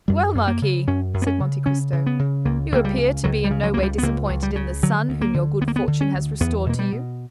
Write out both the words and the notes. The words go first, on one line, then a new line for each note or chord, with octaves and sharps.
"Well, marquis," said Monte Cristo, "you appear to be in no way disappointed in the son whom your good fortune has restored to you."
F#2 G3
F#2
A#3
C#3
F#2 C#4
F#2
B3
C#4
C#3
C#3 C#4
C#3
B3
C#3
C#2 A#3
C#2 A#3
G3
C#3
C#2 F#3
G3
C#3
F#3
C#2 A#3
G3
B3
C#2 A#3
C#2
G3
C#3
D3 F#3
D2
A#3
D3
D2 B3
A#3
B3
D3
C#4
D2
E2 B3
B2 A#3
G3
B2